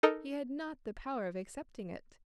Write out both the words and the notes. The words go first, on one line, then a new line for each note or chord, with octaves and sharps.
He had not the power of accepting it.
D#4 A4 A#4 D#5